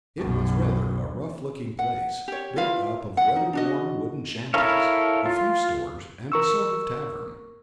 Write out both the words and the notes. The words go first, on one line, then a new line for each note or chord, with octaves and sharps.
It was rather a rough-looking place, built up of weather-worn wooden shanties, a few stores, and a sort of tavern.
B1 F#2
F#5
G4 C#5
E4 F4 B4 F5
F#5
D#4
D4 F#4 D#5
E4 A4 A#4 C#5 F5
F4
A#4 C#6 E6